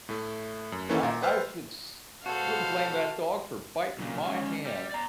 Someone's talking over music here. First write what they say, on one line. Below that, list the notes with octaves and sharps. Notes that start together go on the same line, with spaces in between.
I I futz wouldn't blame that dog for biting my hand,
A2 A3
F#2
D#3 E3 A#3 C#4 E4 A4
A#2 A#5
B4 C5 E6 F6
B2 G#3 F#4 A4 C5 F5
B1 A#2
G#2 C#4
G3
D5 A#5